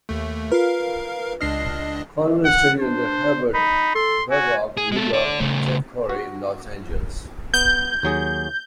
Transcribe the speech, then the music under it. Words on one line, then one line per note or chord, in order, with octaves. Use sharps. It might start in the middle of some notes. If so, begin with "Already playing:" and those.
Conwell studied under Herbert Berghof in New York and Jeff Corey in Los Angeles.
D#2 A3
F4 A#4 B4 F5
C#2 D4 D#5 F6 C7
F#5
D4 C5
D#4 B5
A4 C6
F#4 G#5
G#4
G#3 A4
A4 D5
C#3 A3
F#4
B3 G6
D#2 F#3 G#4